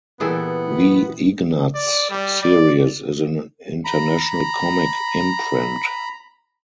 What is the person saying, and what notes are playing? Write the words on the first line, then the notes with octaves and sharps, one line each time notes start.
The Ignatz Series is an international comic imprint.
A#2 E3 G3 B3 G#4 A4
D5
G3
D5
A#5 B5